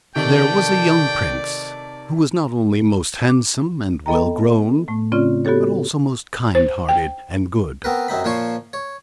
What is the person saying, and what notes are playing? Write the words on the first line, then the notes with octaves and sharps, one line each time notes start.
There was a young prince, who was not only most handsome and well-grown, but also most kind-hearted and good.
C3 D#3 A3 D5 G5
D6
B3 A4 D#5 G5 A#5
A2 A3
C#3 C4 C#4 F4 D5
B3 F#4 G4 A4 C#5
C5
G5
B3 C4 A#4 B4
F#2 C4 D#4 B5
A#2 F3 C5 C#5 C#6
C#5